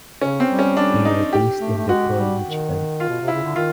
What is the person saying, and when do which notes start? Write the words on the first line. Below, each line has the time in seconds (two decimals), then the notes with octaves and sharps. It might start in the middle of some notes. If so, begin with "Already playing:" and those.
They were based in Detroit, Michigan.
0.21 C#3 C#4
0.40 C4
0.50 G3
0.59 C#4
0.77 D4
1.05 D#4
1.33 G4
1.60 A3
1.78 A3
1.88 G#3 F#4
2.16 G3
2.44 D#3
3.00 F4
3.09 B2
3.21 C3
3.28 C#3 E4
3.44 D3
3.56 D#3 F4